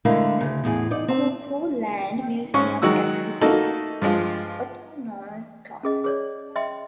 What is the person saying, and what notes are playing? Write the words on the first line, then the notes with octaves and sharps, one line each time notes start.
The Cuckooland Museum exhibits autonomous clocks.
D3 G#3 A3 E4 A#4 F5
D2 C#3
E2 A2 G#4
D#4 D5
C4
G#2 C#4 C#6
D#3 F#3 G#3 F#4 E6
A3 A#3 D#4 F#4 A4
G2 F3 G#3 F4
C#4 G#4 D#5
G#4 C#5 D5
D#5 E5 G5 C6